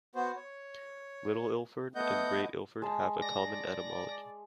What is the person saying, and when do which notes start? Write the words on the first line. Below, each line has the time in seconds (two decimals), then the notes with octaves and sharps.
Little Ilford and Great Ilford have a common etymology.
0.15 B3 F#4 C5
0.36 C#5
1.95 A3 B3 D#5 F#5 G6
2.82 G#3 A5
3.22 D5 A#6